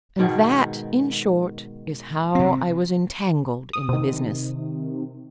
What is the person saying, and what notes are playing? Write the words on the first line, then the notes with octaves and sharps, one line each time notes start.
And that, in short, is how I was entangled in the business.
G#2 B2 D#3
C3 C4
D#6
C3 D#3